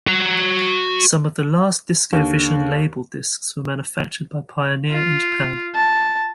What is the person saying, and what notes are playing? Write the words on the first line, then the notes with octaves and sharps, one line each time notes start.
Some of the last DiscoVision label discs were manufactured by Pioneer in Japan.
F#4 A#5
D#2 D3
F4
A5